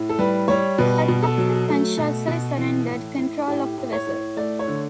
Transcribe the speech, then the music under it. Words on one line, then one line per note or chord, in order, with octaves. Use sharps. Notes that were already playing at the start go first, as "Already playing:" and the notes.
Her captain consciously surrendered control of the vessel.
Already playing: A2
A4
G3 B4
G3 C#5
B2 B4
B2
A4
F#3
A3
B2
B2
E3
A2
A2
A2 G4
A2
C#5
A2
A3 D5
C#5
D3